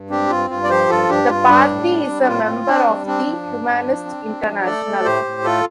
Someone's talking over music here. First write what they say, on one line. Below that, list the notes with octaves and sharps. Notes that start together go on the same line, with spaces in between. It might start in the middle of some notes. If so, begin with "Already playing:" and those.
The party is a member of the Humanist International.
Already playing: G2
C4 D4 G4
G2 F4
G2 F4
D5
F3 G4 C5
G2 F4 A4
G2 D4 G4
G2 F4
G3 D4
A2
G3
G3
D4
A2 F4
C4
C4 D4
G3
C4 D4
F3
G2
G2
F3
C4
C4
F3
A3 A4 D5
A3
A2 G4 C5
A2
A3 F4 A4